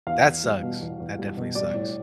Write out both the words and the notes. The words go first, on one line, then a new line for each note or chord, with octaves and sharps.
That sucks. That definitely sucks.
E2 F5
E2
G3
B2
E2
E2
G3
B2
G3 D5
A2